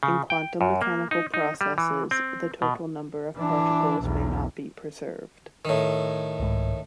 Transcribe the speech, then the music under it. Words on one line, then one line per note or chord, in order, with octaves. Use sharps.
In quantum mechanical processes the total number of particles may not be preserved.
C#3
G5
F#2
A#3
D#4
D#4
G3
E3
C4
B2
E3 D4
B1 E2
A2 D#3
C2 G#2